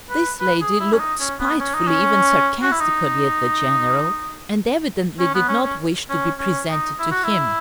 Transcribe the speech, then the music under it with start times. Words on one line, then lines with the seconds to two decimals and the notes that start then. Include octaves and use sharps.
This lady looked spitefully, even sarcastically, at the general, and evidently did not wish to be presented to him.
0.10 B4
0.40 B4
0.61 G#4
0.80 E4
0.93 C#4
1.00 D#4
1.20 C#4
1.40 B3
1.60 C#4
1.74 D#4
1.87 C#4
2.62 F#4
2.72 E4
2.80 D#4
5.20 C#4
5.35 B3
5.49 C#4
5.64 C#4
6.10 C#4
6.39 C#4
6.70 D#4
6.99 E4
7.11 F#4
7.24 E4